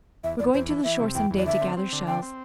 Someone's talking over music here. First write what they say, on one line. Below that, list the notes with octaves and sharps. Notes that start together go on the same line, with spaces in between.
We're going to the shore some day to gather shells.
E2 E5
E2 D5
E2 C5
E3
E3 E5
C3
E2 G5
E2
D5
D3 E5
C4
C4
D3
C4 G5
C4